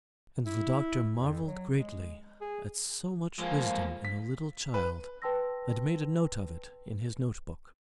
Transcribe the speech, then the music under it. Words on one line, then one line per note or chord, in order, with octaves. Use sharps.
And the doctor marvelled greatly at so much wisdom in a little child, and made a note of it in his note-book.
E4
F2
F#3
G#3
G#4
F3 G#3 A#3
B6
B4
B4 G5 A5 C6 E6 A#6